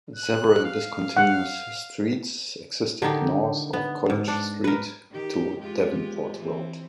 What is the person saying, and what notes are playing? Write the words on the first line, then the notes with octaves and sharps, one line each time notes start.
Several discontinuous streets existed north of College Street to Davenport Road.
F#6
F5
F#5
D3 D#3 D#4 G4
B3
G#2
D4
A#4 B4
D#3 G4
G#3 F4 G4
E3 C4